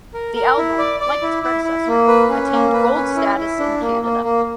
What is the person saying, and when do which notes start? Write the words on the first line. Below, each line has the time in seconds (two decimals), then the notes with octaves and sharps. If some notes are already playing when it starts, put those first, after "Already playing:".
The album, like its predecessor, attained Gold status in Canada.
0.14 A#4
0.35 A#4
0.57 E4
0.78 D5
1.00 D5
1.22 E4
1.43 E4
1.65 E4
1.87 A#3
2.08 B4
2.29 C#4
2.52 A#3
2.73 B4
2.94 C#4
3.16 E4
3.37 E4
3.59 D4
3.81 A#3
4.03 A#3
4.24 A#3